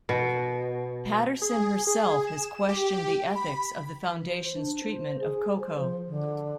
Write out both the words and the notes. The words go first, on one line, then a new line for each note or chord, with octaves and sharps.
Patterson herself has questioned the ethics of the Foundation's treatment of Koko.
B2
G#4
G#4
E7
G4
B5
E3
C5
D4
C5
G#4
C5
F3
D3